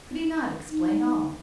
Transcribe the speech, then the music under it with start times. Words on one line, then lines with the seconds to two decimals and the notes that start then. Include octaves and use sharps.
Could he not explain all?
0.70 D#4